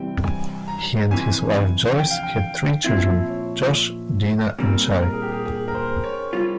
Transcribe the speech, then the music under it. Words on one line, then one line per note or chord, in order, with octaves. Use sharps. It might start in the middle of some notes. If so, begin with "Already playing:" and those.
He and his wife Joyce had three children - Josh, Deena and Shari.
Already playing: C3 E3 G3 C4 G5
G#5
A#5
F2 C3 E3 G#5
G5
F5
G5
A#2 F3 C4 E4 E5
C#5
A#2 G3 C4 A#4
A#4
G#4
G4
G#4
G#4
A#4
C5
C#5
G3 C#4 F4